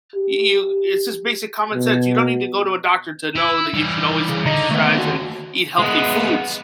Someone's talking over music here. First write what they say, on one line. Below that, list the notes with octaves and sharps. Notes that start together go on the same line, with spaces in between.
you you it's just basic common sense, you don't need to go to a doctor to know that you should always exercise and eat healthy foods.
G4
B2
E4
E3 G3
C#3
D3 D#5 A#5
D#2 A3 B3
D2 F#4
G#3 B3